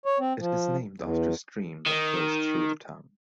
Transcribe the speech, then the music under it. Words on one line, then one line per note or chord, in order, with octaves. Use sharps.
It is named after a stream that flows through the town.
C#5
C4
F3
E2
D#3